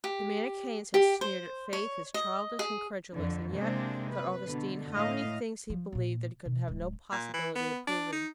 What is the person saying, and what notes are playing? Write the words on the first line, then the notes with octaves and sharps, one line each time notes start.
The Manicheans had sneered at faith as childish and credulous; and yet, thought Augustine, how many things he believed that he could have no possibility of proving.
G4
G4
C5
C#5
D#5
G#4
F2 D3
C3 G#3 A#3 C4 D4
B4
B2 D3
A2 D#5 F5
F3
A#2 A#3
B2
D1 G#3
A#2
E3
B3
D4
D#4